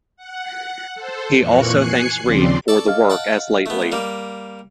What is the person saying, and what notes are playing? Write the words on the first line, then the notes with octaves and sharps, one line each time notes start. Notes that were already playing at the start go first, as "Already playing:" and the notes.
He also thanks Reed for the work as lately.
F#5
A4 C5
F2 A#2 E3 A#3 C#6 F#6
G#5 F#6 C7 C#7
D#2 C#3 F3 C4 C5 D5
A4 D5 C#6
D#5 F5 F6
F#5 G5 A5
A3 B3
G3 A#3